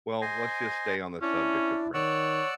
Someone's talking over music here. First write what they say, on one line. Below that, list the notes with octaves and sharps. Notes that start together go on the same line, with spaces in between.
Well, let's just stay on the subject of Prince,
C5 D#5 G#5
C#4 D4 E4
D#3 C#5 D5 F#5 E6